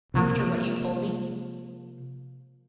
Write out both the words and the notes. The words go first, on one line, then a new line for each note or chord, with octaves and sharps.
After what you told me?
C3 F3 A#3